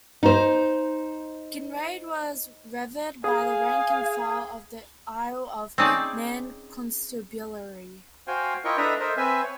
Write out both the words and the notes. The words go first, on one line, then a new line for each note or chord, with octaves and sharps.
Kinrade was revered by the "rank and file" of the Isle of Man Constabulary.
D#4 C5
G#4 F5 G#5
C4 C#4 D#4 G#4 D5 A5
F#4 C5 F5 G5 G#5
E4 F4 A#4 D#5 G5 C#6
D4 A4 B4 D#5 E5 A#5
A4 A#4 C5 D#5 E5
C4 B4 E5 G#5
C#5